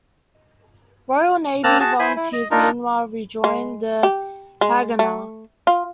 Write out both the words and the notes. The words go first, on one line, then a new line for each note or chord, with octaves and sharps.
Royal Navy volunteers, meanwhile, rejoined the Haganah.
A#3 C4 A5 A#5 F6 F#6
F#4 G#4 A5
E4 C5 G#5 B5
E4
D#5
D4 D#4 F4 A#4
G#3
G4
G#3
A3
F4